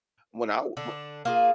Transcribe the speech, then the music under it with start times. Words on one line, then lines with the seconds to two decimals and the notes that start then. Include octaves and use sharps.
when I w w
0.77 D3 D4
1.25 A#3 F4 G#4